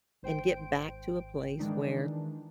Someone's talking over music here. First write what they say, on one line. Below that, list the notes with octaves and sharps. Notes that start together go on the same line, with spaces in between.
and get back to a place where
G#1 C5 G5 D7
D#3 E3 G#3 D4 D#4